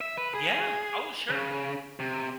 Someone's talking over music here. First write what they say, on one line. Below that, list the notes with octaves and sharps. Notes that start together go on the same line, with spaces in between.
Yeah. Oh, sure.
E5
B4
G#4
C#3
C3